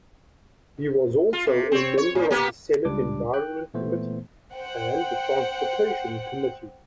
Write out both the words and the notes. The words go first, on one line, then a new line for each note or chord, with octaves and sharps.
He was also a member of the Senate Environment Committee and the Transportation Committee.
F4
C3
C4 C#5
C#5
A2
A#3 B3 G4
C#2 G3 D4 D6
G5 F#6
A#2 E3 A3 B3 C5
C5 F#5 G5